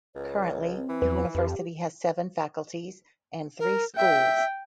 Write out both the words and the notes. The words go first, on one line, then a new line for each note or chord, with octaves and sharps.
Currently, the university has seven faculties and three schools.
C#2 C#5
C4
E3
E2 B4
F2 G4
A#4
E5 G5